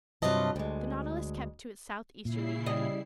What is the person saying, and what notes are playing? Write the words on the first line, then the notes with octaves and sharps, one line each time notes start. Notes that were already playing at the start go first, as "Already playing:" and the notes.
The Nautilus kept to its southeasterly heading.
G2 C3 F#3 F4 D#5 A5
D2 G#3
A#2 C#3 E4 C7
G3 D#5